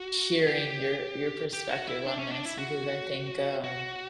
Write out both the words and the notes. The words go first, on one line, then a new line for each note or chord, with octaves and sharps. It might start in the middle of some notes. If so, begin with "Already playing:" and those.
hearing your your perspective on this because I think, um,
Already playing: F#4
G4
G4
F#4
E4
D4
C#4
D4
E4
F#4
F#4